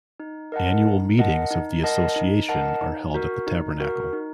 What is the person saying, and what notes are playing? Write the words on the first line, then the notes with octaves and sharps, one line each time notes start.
Annual meetings of the association are held at the tabernacle.
D#4
A#4 D#5 F#5 A5
D#4
A#4 D#5 F#5 A5
D#4
A#4 D#5 F#5 A5
D#4
A#4 D#5 F#5 A5
D#4
F#4 A#4
D#4
F#4 A#4
D#4